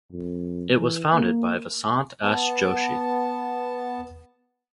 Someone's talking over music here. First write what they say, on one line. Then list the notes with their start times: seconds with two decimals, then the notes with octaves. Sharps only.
It was founded by Vasant S. Joshi.
0.12 F2
0.75 E3
1.13 A#3
2.23 B3 A5